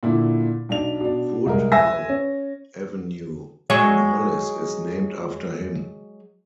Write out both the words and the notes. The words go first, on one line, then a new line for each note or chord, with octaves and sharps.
Woodhull Avenue in Hollis is named after him.
A#2 D3 E4
B1 D4 F7
B2 D4
C2 G#3 A#4
B4 E5 G#5 E6 A#6
C#4
F#3 G#3 C#5